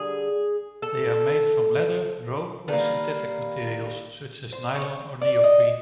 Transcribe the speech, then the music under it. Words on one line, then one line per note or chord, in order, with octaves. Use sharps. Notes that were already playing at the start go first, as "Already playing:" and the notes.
They are made from leather, rope, or synthetic materials such as nylon or Neoprene.
Already playing: D3 G3 G#4
A4
D#3 G3 A#3 B4
C5
C#5
D5
D#5